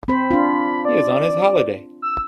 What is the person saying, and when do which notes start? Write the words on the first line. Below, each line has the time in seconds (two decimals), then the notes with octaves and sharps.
He is on his holiday.
0.08 C4 C5 B5
0.31 D4 F4
0.85 D5
2.02 E6